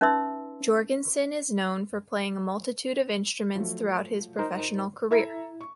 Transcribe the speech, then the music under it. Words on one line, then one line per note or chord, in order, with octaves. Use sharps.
Jourgensen is known for playing a multitude of instruments throughout his professional career.
C#4 D#4 B4 E5 C6 E6
F3 F#3 A3
D#4 A#4 C5
E4 A4 E5 A#5
C#6